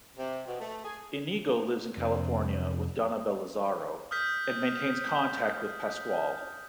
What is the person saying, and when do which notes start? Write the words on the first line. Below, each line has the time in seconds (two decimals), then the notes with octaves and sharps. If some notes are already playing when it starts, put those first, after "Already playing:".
Inigo lives in California with Donabelle Lazaro, and maintains contact with Pascual.
0.16 C3
0.46 B2
0.60 A3
0.83 G#4
1.97 F2 C3 D4 C5
4.11 D#6 F6 G6 B6